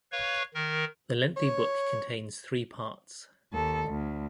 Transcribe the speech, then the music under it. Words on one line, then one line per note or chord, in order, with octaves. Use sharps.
The lengthy book contains three parts.
B4 C#5 F5 C#6
D#3 A#4
C#5
D#2 A4
D2